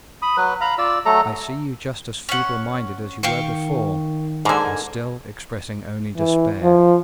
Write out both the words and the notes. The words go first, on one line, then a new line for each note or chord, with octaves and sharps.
"I see you just as feeble-minded as you were before, and still expressing only despair!"
B5 D#6
F#3 B4
F5 A#5 B5
F4 D5 E6
F#3 A3 A4 A#5
C#4 F#5
D#3 F5 G5 C#6
G#2 D3 A#3 G#5
E3
F3